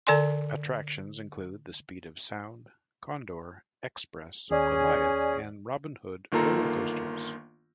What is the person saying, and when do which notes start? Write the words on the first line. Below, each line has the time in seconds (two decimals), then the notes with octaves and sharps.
Attractions include the Speed of Sound, Condor, Xpress, Goliath and Robin Hood roller coasters.
0.07 D3 A4 D5 G#5 C6
4.51 D#2 C#4 G#4 D5
6.32 G1 D#3 A#3 F4 A4 A#5